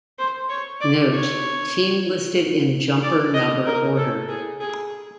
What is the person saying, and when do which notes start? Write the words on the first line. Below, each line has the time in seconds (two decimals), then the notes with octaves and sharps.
Note: Team listed in jumper number order.
0.19 C5
0.49 C#5
0.81 D5
1.13 C#5
3.03 D5
3.34 D#5
3.66 A#4
3.97 A4
4.29 G#4
4.61 G#4